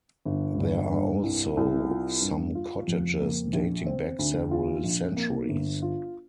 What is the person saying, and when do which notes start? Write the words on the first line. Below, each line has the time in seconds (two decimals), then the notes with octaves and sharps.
There are also some cottages dating back several centuries.
0.25 G1
0.59 G2
0.91 G2
1.23 C2
1.57 C2
1.90 F4
2.22 G2
2.55 F4
2.87 F2
3.20 A#3
3.53 A#1
3.86 C4
4.19 D2
4.51 F4
4.84 A#1
5.17 A#3
5.49 G1
5.82 F4